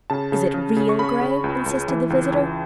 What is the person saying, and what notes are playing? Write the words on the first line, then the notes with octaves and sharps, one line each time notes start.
"Is it real grey?" insisted the visitor.
C#3 A5
C#3
C#3
C#3
C#6
C#3 B5
C#3
C#2
C#2
E3
C#2
C#2